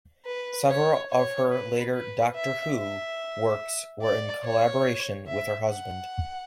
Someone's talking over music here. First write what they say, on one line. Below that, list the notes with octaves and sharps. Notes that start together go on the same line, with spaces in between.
Several of her later "Doctor Who" works were in collaboration with her husband.
B4
C#5
C#5
B4
B4
E5
E5
D5
C#5
E5
F#5